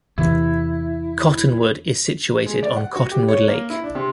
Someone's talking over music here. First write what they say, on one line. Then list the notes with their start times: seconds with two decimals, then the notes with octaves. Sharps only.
Cottonwood is situated on Cottonwood Lake.
0.18 E2 C3 E3 E4
2.46 G#3
2.63 D5
2.76 F#5
2.96 F#4
3.12 G4
3.28 C#5
3.48 A#3
3.70 E4
3.84 D4
3.95 C3